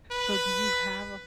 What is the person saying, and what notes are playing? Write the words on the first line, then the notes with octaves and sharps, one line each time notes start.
So do you have a f
B4